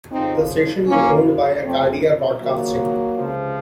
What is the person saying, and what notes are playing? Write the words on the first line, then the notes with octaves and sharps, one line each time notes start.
The station is owned by Acadia Broadcasting.
F2 C#3 F3 C4 D#4
F#2 F3 A#3 C#4
F2 C3 F3 A3 C4
D#2 C#3 F3 F#3 A#3
C#2 C3 F3